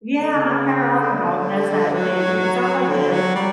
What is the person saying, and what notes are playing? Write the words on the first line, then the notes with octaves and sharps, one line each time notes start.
Yeah, my Carolina dog does that too. It sounds like the
D3
C#3
D3
F#3
D3
F#3
G3